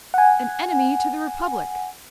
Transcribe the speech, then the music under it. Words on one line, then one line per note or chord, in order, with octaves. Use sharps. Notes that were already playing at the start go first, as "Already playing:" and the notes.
"An enemy to the Republic!"
F#5 G#5